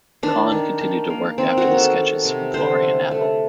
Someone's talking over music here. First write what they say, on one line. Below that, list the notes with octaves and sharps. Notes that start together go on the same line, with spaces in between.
Collin continued to work after the sketches from Florian Abel.
D#3 D4
D#3
D#3
A#3
D#3 C4
F#4
D#3
A4
D#3
C3
D3 C5
A3
A3